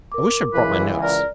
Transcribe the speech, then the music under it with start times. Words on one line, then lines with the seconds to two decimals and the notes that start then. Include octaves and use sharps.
I wish I'd brought my notes.
0.12 A#4 D6
0.53 C#2 E3 B4
1.03 A#4 D5